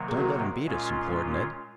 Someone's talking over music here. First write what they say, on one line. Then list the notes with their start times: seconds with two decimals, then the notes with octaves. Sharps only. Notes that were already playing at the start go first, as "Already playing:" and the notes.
"Don't let him beat us," implored Ned.
Already playing: C3 D#3 F#3 A#3
0.08 G#4
0.17 F#4 A#4
0.66 A#2 G#3 C#4 F4